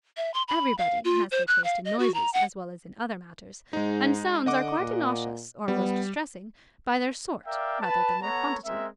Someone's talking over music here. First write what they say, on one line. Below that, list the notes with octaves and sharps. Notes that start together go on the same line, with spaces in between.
Everybody has their taste in noises as well as in other matters; and sounds are quite innoxious, or most distressing, by their sort rather than their quantity.
E5
C6
B5
F5
F4
C5
F#6
F5
D#5
F#4
A#5
F#5
G#2 G#3 D#4
D3 D#5 F#5 D6
A#2
G3 B3
A#4 D5 E5 F5 G5
B4 A5
B3 A4 C#5 F#5 A#5
G#3 C4 A#4 E5